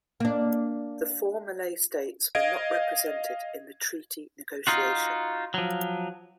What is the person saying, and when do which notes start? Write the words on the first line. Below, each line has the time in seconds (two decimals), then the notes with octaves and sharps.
The four Malay states were not represented in the treaty negotiation.
0.20 A#3 D4
2.35 D#5 F5 G#6 D7
4.67 D#4 F4 F#4
5.54 F3 F#3